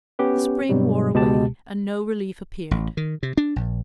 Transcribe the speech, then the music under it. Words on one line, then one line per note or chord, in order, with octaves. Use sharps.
The spring wore away, and no relief appeared.
B3 C#4 G4 B4
G2 B2 F#3 G3
C#2 B2 G#3 G4 A5
A1
D#3
C3
D4
A#1